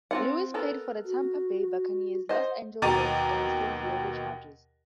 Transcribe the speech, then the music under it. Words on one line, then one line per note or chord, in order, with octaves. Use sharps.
Lewis played for the Tampa Bay Buccaneers, Los Angeles Rams and San Diego Chargers.
C4 F4 F#5
B3 A4 A#4
F#4
C5 D#5 F#5
D#2 B2 A#5 D6 A6 D#7